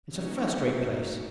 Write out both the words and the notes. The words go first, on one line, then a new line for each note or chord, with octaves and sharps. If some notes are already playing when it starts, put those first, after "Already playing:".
It's a first-rate place!'
A#3 B3 C#4 D#4 E4 F#4